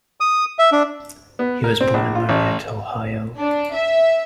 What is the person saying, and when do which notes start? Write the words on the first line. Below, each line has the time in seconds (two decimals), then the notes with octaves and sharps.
He was born in Marietta, Ohio.
0.20 D#6
0.59 E5
0.72 D4
1.39 B3
1.64 A#4
1.81 C4
1.94 A#1
2.15 F4
2.29 A1
3.38 D4
3.75 E5